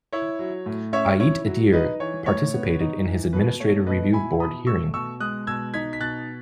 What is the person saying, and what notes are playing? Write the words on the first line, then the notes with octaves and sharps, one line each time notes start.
Ait Idir participated in his Administrative Review Board hearing.
E4 C#5
F#3
A2
C#4 C#5 E5
E4 C#5
F#3
D#4 B4 D#5
E3 C#5
A2 C#5
B3
D#4
E3
B2 B4
A3 C#5
B2 B4 D#5
E4 G#5 B5
B2 B5 D#6
A3 C#6 E6
B2 C#6 E6
G#3 D#6 F#6
B2 E6 G#6
D#4 G#6 B6
B6
B2 F#6 A6